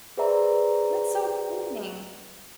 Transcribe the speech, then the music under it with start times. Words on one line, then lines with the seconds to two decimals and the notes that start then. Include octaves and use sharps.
That's so exciting. I
0.17 G#4 B4 C5 D5 E5 A#5